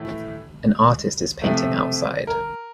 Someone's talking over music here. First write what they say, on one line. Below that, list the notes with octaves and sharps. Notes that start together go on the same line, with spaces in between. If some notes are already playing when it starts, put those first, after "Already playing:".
An artist is painting outside.
Already playing: A2 E3 A3
C3 F3 A3
A#4